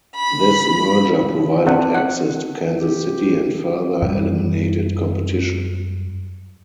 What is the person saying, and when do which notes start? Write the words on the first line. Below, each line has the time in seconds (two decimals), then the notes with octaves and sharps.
This merger provided access to Kansas City and further eliminated competition.
0.16 B5
1.67 C4 D4 F#5
1.95 F#5
2.80 G4
4.02 F#2 G3